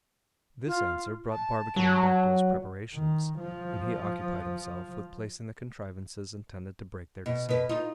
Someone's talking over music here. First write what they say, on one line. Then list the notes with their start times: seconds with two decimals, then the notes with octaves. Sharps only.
This answer brought Barbicane back to his preparations, and he occupied himself with placing the contrivances intended to break their descent.
0.66 F4
1.30 A5
1.76 F#3
2.93 D#3
3.39 F3
7.26 B2
7.49 B2 B4
7.69 D#4 F4